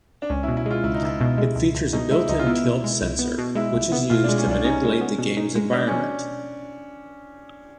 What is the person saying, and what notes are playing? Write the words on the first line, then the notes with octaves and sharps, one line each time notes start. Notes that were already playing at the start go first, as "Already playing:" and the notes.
It features a built-in tilt sensor, which is used to manipulate the game's environment.
D4
C#2 C#4
E4
B2
E4
G#3 F4
C#2 E4
D#4
C#2 E4
B2
G#3
C#2
C#2
B2 D#4
G#3 E4
C#2 D#4
F4
B3 E4
B2
G#3
C2
B3
B2
G#3 E4
C2
B3
B2 F4
G#3 D4
C#4
C2 D4
C#4 D#4
G#3
B3
B2
D#4
G#3
B3 D4
B2 C#4